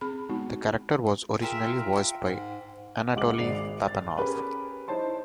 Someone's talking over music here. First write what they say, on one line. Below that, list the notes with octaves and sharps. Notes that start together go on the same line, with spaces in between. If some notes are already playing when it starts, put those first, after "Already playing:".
The character was originally voiced by Anatoli Papanov.
C4 G#4 B5
G#3 B3 D#4 F#4
F4 G#4 A#4 E5 G5
G#2
C#2 G#3 F#4 D6 F#7
G#1 G#3 D5 C7 F7
A6
C#4 G4 G#4 A#4 B4
D#4 E4 C5 C#5 A5 C6